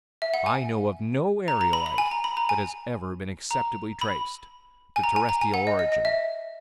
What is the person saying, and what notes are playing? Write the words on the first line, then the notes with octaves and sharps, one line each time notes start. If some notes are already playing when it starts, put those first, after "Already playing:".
I know of no aerolite that has ever been acceptably traced to terrestrial origin.
E5
F#5
G#5
A#5
A#5
B5
B5
G#5
A#5
B5
A#5
G#5
A#5
B5
G#5
A#5
G#5
A#5
G#5
F#5
D#5
D#5
D#5
E5